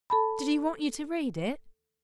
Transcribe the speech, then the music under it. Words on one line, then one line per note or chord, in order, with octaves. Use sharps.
"Did he want you to read it?"
A4 A5 B5